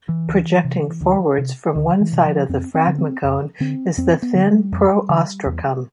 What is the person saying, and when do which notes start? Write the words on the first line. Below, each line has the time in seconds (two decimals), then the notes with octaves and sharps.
Projecting forwards from one side of the phragmocone is the thin "pro-ostracum".
0.09 E3
0.28 D2
0.64 C3
1.01 D2
1.38 C3
1.75 D2 D3
2.01 E3
2.13 C3
2.25 F3
2.49 F2 C4
2.74 C4
2.87 D3
2.98 C4
3.24 F2
3.60 D3 C4
3.97 F2 C4
4.22 B3
4.34 D3
4.46 G3
4.72 F2
5.09 D3
5.46 E2